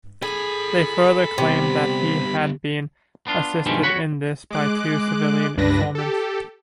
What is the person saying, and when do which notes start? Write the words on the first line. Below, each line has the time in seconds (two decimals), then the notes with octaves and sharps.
They further claimed that he had been assisted in this by two civilian informants.
0.22 G#4 A4 G#5 B5
1.38 C3 G3 B3
3.27 B3 D4 F4
3.66 G2 B2 D#3 F3 G3 G#3
3.83 F#4 C#5 F#5 B5
4.50 G#3 D6 F#6
5.57 C#2 G2 D4 B4 A#6
5.95 G4 A4